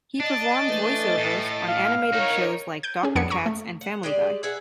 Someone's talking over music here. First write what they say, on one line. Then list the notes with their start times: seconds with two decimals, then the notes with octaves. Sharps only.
He performed voiceovers on animated shows like Doctor Katz and Family Guy.
0.20 D4 D#5 A6
0.68 E3 A3
1.18 A2
1.67 F5
2.12 D#4 F#4 A#4 C#5
2.83 G6 G#6 D7
3.03 C#4 G#4
3.15 F2 F3 B3 D4 G#6 C#7
3.30 A#5 C#6 D#6
3.46 A3
3.81 F#5
4.03 G#3 G4 D5
4.43 G#4 B4 E5 F#5